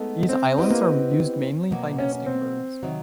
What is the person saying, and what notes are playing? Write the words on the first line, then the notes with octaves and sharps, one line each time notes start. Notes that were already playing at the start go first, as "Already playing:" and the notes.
These islands are used mainly by nesting birds.
Already playing: G#3 A3 B3 D#4
C4
B3 C4 E4 G4 B4 D#5
A#3
C4
B2 F#3 A#3
C#4
C#4
C4
C3 D#3 F#3